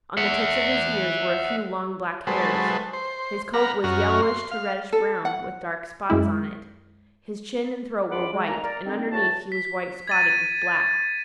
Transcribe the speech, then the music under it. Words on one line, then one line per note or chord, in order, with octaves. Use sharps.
On the tips of his ears were a few long black hairs. His coat was yellowish to reddish-brown, with dark spots on it. His chin and throat were white, and underneath he was white spotted with black.
E5 F#5
F#3 G#3 A4 B4 C5
C5
A#4 F#5 A#5 B5 F6
F#2 C#4 F#4 A#5 F6
C6
F5
A4
F#5
F#2 G#3 E4
C#2 G2 F4 F#5 B5 D6
G#3
D#3 A#3 G#5 A#5
A#4 D5 A#5
D3 D#3 C4 D#4
E2 A2 F#4 A5
B6
G#6 A6 D#7